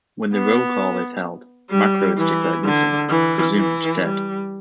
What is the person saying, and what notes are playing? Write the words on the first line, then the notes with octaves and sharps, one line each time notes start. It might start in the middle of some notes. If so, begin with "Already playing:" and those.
When the roll-call is held, Macro is declared missing, presumed dead.
B3
G3
E3
D3
E3
E3
G3